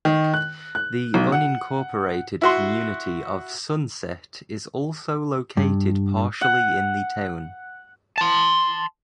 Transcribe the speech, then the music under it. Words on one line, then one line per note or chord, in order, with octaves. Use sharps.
The unincorporated community of Sunset is also located partially in the town.
D#3
F#6
F#6
B1
F#5
E4 F#4 C6
G2
F#5
A5 C6